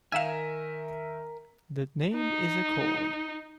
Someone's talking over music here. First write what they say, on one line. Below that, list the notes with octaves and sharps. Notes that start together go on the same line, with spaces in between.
The name is a cord.
D#3 A#4 E5 F5 G#5 E6 E7
D#4